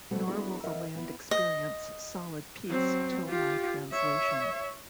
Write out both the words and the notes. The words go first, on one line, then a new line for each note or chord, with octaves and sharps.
Nor will the land experience solid peace till my translation.
B2 G3 A3 C4 F#4 A4
G3 B3 D4 E4 F#4 G#4
F2 A#4 D#5 E5 F#5
B3 E4
D#5
F#3 C4
F4 G4
C#5 E5